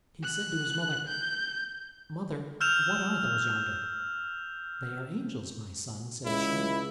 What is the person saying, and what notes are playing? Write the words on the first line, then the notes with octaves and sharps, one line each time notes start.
He said to his mother, "Mother, what are those yonder?" "They are angels, my son," said she.
F#6
G6
E6 F6 G6 E7 F7
C#2 E4